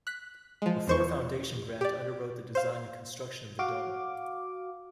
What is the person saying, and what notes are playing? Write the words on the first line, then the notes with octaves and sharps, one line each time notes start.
A Ford Foundation grant underwrote the design and construction of the dome.
F#6 B6
F3 G#3
E2 C5 C#6
G4 D5
C5 F5
F#4 F5 D6